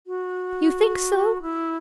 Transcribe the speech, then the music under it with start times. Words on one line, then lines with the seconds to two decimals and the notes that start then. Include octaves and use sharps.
"You think so?"
0.07 F#4
1.42 E4